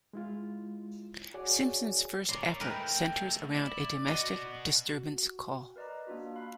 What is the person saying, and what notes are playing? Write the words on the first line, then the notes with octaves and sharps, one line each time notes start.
Simpson's first effort centers around a domestic disturbance call.
G#3 E4 F4
F#4 G#4 C#5 D5 F#5 G#5
A#4 C#5 D5 C6
A3 D#4 A#4 B4 G5
E4 D5
B3 F#4 D#5
F#4
A#4 B4 D5 D#5 A#5
A#3 D4 F4 F#4
F5 B5 F#6